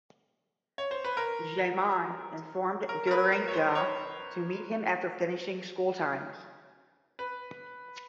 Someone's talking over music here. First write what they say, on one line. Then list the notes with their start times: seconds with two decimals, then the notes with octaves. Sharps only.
Jayamanne informed Deraniyagala to meet him after finishing school times.
0.78 C#5
0.91 C5
1.05 B4
1.17 A#4
2.89 A#4
3.07 A#4
3.11 B4
3.32 A#4
3.48 C#5
3.53 C5
3.75 C#5
7.19 B4